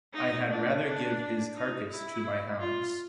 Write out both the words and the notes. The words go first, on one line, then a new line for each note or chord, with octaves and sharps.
I had rather give his carcass to my hounds.
D#4
D4
D4
D#4
E4
F4